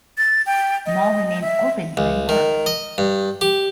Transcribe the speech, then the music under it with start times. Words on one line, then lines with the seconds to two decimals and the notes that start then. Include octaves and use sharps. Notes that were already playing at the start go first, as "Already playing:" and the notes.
The mall remains open during works.
0.18 A6
0.46 G5
0.86 D#5
1.42 E5
1.97 C#2
2.29 D#3
2.66 D#5
2.98 G2
3.41 G4